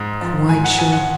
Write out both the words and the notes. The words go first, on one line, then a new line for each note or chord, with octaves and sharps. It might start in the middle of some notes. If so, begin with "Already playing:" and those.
"Quite sure."
Already playing: G#2
F3
G#2 G#5
F#5
F3 G#5
F#5